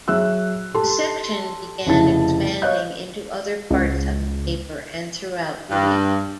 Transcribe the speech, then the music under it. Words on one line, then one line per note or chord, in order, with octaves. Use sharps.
The section began expanding into other parts of the paper and throughout the week.
F#3 G#4 E5 E6 F#6
G4 A4 A5 C6
F1 C#3 E4 A5 A6
C#5 D#5 F5 F#6 G6
C#2
G2